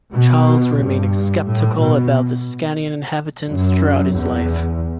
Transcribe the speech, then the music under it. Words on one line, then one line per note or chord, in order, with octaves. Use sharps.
Charles remained sceptical about the Scanian inhabitants throughout his life.
B2
G2
A2
B2
F#2
E2